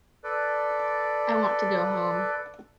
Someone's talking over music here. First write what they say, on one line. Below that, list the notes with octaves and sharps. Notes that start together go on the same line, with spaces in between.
I want to go home.
A4 B4 D5